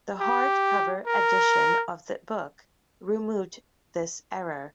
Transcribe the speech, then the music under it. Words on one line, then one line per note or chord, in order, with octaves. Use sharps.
The hardcover edition of the book removed this error.
G4
A#4